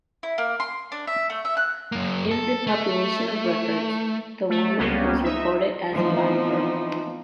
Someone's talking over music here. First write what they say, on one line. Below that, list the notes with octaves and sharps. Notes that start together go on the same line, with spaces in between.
In the Population of Record, the woman was recorded as Black Girl.
E4
A#3
C6
D4
E5
A3
E5
F#6
F#2 A#3
A4
A3
A3
C#2 C#3 G3 A#3 B3 C#4
D#4 E5
E3 F3 A3 B3 C4 D#4